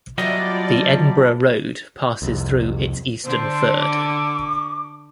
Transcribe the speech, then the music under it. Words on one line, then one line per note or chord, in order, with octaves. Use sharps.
The Edinburgh Road passes through its eastern third.
F#3 G3 B3 D4 E4 F4 D5 D#5
C2 F2
D3 C5
D6